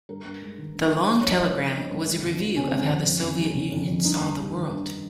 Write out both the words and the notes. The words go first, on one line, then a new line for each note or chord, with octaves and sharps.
The "Long Telegram" was a review of how the Soviet Union saw the world.
G2 A#4
G2
G#3
D#3
G2
G2
G2 C5
G2 C#5
D#5
G#3 C#5
F3 C5
G2
G2
G#3
F2
F3
C#3 C#4
G#3 C4
C#4
F2
F2
F2
G3
C#3
F2
F2
G2 D#4
G2
G3
D#3
G2